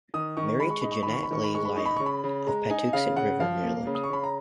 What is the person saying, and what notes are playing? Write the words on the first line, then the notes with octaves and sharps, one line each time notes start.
Married to Janet Leigh Lyon of Patuxent River, Maryland.
D#3 D#6
D#3 C#6
G#3 B5
C#6
D#4 B5
C#6
D#3 B5
C#6
B5
D#3 C#6
B5
G#3 C#6
B5
D#4 C#6
B5
C#3 C#6
B5
C#3
G#3 A#5
D#4 G#5
C#3 F5
C#3 F#5
F3 F5
A#3
C#3
D#6
C#6
C#3 B5
A#5